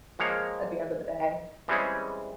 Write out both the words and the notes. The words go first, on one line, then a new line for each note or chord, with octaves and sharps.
at the end of the day,
F3 G#3 A#3 C#5 F5
E3 G3 G#3 C4 C#4 G#4